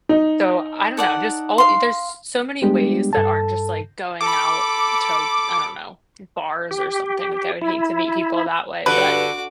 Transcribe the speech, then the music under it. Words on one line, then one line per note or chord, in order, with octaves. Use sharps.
So, I don't know, just oh, there's s so many ways that aren't just, like, going out to, I don't know, bars or something, like I would hate to meet people that way, but,
D#4
A4 D5 F#5
F5 C6
G3 G#3 B3 D4 G4
G2 A4 A5
A4 B5 D6
G4
E4
G2 D3 F#4 B4 D6